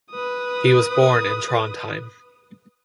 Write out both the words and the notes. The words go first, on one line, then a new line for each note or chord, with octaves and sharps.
He was born in Trondheim.
B4 D#6